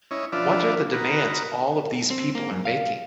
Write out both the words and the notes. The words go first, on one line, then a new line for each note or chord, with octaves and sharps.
What are the demands all of these people are making?
C#4 E4 C#5 D#5
F3 D4 F4 B4 D5 E5
D#4 F#4 A#4 B4
C4
A#3
F#2
F5